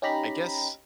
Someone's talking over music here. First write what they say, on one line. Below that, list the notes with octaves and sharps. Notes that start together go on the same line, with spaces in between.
I guess
C#4 D#4 G4 A#5 B5